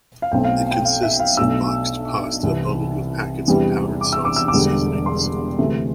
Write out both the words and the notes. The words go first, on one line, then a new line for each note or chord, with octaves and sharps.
It consists of boxed pasta bundled with packets of powdered sauce and seasonings.
F5
B1 B2 A3 C4 G5
F5
G5
F5
E5
F5
B1 B2 A3 D4 E6
C2 C3 E3
E2 C3 E3 G3 D4
D6
E6
D6
E6
D6
E1 E2 D3 G3
C6
D2 C3 E3 A3